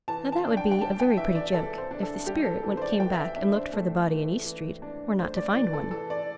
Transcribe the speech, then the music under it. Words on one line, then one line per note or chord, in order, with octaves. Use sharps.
Now that would be a very pretty joke, if the spirit when it came back and looked for the body in East Street, were not to find one.
E3 A5
A5
D4
G5
G5
G3 A5
G5
E3 E5
D5
E3 A4
C5
D4
A4
G3 G4
A4
E3 A4
C5
D5
E3 G5
E5
G5
D4 E5
C5
A3 A4
E3
E3
D4
A3 C5
D5
E3 D5
A4
E3 A4
D5